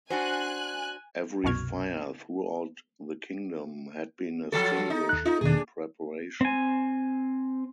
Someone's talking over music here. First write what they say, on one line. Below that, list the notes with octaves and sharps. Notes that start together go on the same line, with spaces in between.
Every fire throughout the kingdom had been extinguished in preparation.
D4 F#4 C5 G#5 F#6
C2 F#2 B2 C#6 F6 G#6
F3 F#3 A4
D#4
D#2 F#6
D#4 F4
E2 B2 D#3 D4 G#4
C4 G#5